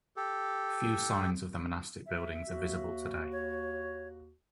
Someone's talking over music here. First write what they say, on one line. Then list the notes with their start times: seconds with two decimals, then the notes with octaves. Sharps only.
Few signs of the monastic buildings are visible today.
0.16 G4 A4
2.06 E5
2.47 D#2 F#4
3.32 C#5